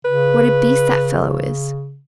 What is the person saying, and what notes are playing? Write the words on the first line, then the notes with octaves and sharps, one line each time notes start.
'What a beast that fellow is.
C#3 B4